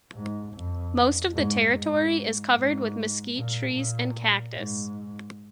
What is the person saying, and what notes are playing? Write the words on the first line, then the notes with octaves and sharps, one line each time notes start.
Most of the territory is covered with mesquite trees and cactus.
G#2
F2
G#2
G#2
G#2
A#2
A#2
G#2